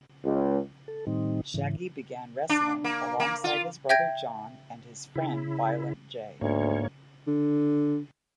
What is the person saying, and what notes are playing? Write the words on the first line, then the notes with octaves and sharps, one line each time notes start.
Shaggy began wrestling alongside his brother John and his friend Violent J.
C#2
A4
A2 D#3 G3 C4 D#4
G#2 C#3 E3
D4
A#3
A#3
F4
E5 G5 G6 G#6 A#6 D7
C#3 E4
D2 G#2 A#3 C#5
D3